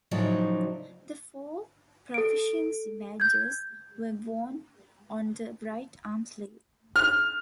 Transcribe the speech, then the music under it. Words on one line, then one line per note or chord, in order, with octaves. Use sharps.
The four "proficiency" badges were worn on the right arm sleeve.
A2 C#3 F3 F#3 D4 D#4
A4 D7
G6 G#6
F6